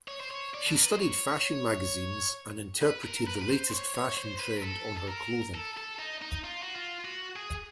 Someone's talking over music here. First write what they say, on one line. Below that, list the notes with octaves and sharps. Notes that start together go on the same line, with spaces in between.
She studied fashion magazines and interpreted the latest fashion trend on her clothing.
C#5
C5
C#5
D5
A4
A#4
B4
C5
C#5
B4
A#4
B4
A#4
B4
C5
C#5
C#5
C5
B4
A#4
A4
A4
A#4
A4
A4
D#4
D#4
F4
F#4
F4
F#4
G#4